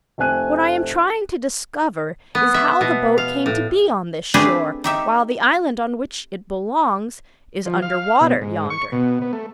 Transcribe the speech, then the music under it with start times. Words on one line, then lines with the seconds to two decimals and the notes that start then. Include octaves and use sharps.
What I am trying to discover is how the boat came to be on this shore, while the island on which it belongs is under water yonder.
0.18 F1 A3 C4 G#5 F#6 D#7
2.35 B3
2.54 E5
2.81 B2
3.18 F5
3.46 A2
4.34 A3 C4 D4 G4 G#4 B4
4.84 D#4 G4 E5
7.66 F3
7.82 F5
8.21 B2
8.42 G#2
8.70 C#6
8.92 B2
9.21 B3
9.33 A3